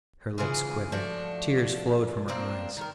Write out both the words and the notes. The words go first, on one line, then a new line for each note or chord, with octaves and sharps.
Her lips quivered, tears flowed from her eyes.
C#3 E3 F4 G#4
F3 A3 D4 F#4
A#3 C4 D4
D#3 A#4